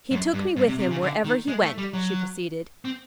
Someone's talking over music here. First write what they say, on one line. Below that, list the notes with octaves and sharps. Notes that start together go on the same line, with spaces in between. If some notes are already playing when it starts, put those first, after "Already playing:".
"He took me with him wherever he went," she proceeded.
F#2
G2
G2
C3
C3
C#3
D3
D#3
G#3
A3
G3
F#3
C4